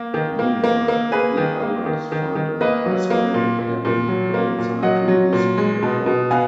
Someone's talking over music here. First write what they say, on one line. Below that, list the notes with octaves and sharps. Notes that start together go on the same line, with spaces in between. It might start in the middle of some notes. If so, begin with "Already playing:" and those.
Meanwhile, the others find an isolated cabin and go inside to use the phone.
Already playing: A#3
D#3
A#3
A#3
A#3
A#3 G#4 B4
D#3
A#3
D#3
D#3
D#3
A#3 B4 D#5
F#3
A#3
A#2
A#2
A#2
F#3
A#3
A#2
F#3 D#5 F#5
F#3
A#2
G#3
B2
B2
B3 F5 G#5